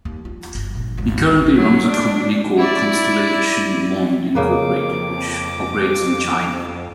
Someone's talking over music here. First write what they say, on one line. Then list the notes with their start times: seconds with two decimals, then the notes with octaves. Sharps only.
He currently runs a company called Constellation Monde Incorporated which operates in China.
0.05 D#2
0.25 F4
0.55 G1
0.75 A#2 D4
0.97 D1 G#1
1.55 F#3
1.86 D4
2.57 E4 D5
4.35 F2 C#3 A#3 B4 D6